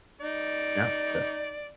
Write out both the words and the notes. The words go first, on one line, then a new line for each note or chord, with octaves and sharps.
Yeah. Yeah.
D#4 D5